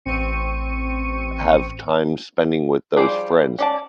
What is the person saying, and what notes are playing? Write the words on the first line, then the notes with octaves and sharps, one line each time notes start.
have time spending with those friends.
A1 C4 C#6 C#7 D#7
F3 G3 G#4 C5 D5
C#4 D5 A5